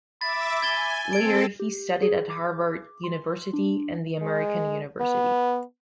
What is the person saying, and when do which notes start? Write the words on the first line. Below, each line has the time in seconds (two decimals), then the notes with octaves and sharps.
Later he studied at Harvard University and the American University.
0.21 E5 B5 D6 A6 E7
0.62 G#5 G#6 A6 G7
1.13 C4 A4 G#6 D7
1.60 G4
2.02 G#4
2.30 D6
3.04 C6
3.53 D4
4.22 G#3
5.00 B3